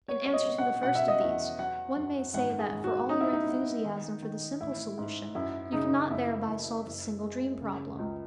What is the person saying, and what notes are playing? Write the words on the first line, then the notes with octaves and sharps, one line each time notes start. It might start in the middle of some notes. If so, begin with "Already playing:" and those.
In answer to the first of these, one may say that for all your enthusiasm for the simple solution, you cannot thereby solve a single dream problem.
B3 C#5
C#5
D#5
B3
F#5
B2 F#5
E5
D#5
E2 E5
F#3 F#5
F#2
G#1 F#5
G#4
G#1
F#4
B3 D#4
E4
D#4
B3
D#3
D#3
A1 E4
G#2
F#2 E4
C#3 D#4
F#1 E4
F#1
F#1
G#3
C#3
C#2